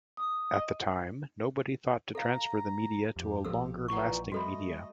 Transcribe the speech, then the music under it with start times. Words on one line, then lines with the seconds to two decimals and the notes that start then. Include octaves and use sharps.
At the time nobody thought to transfer the media to a longer-lasting media.
0.17 D#6
0.58 D#5
2.15 A4 F5 A#5
3.16 F2 G4
3.45 A#1 F3 A#3 A4 E6
3.88 A#2 E3 D#4 F#5 C#6
4.32 G3 A3 F#4 A4 D#5 B5